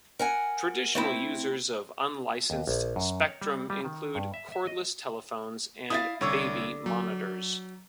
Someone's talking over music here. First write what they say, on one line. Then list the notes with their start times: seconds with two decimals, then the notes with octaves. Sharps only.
Traditional users of unlicensed spectrum include cordless telephones, and baby monitors.
0.19 A#4 F#5 G#5
0.95 A3 C4 E4
2.50 D#2
2.67 A#1
2.96 F#2
3.28 C#5
3.41 G3
3.70 G3
3.85 D#3
4.15 G2
4.34 E5
4.52 E5
4.67 D#5
5.90 E4 E5 F5 D#6 A6
6.21 C2 D3 C#5 E6
6.86 F#3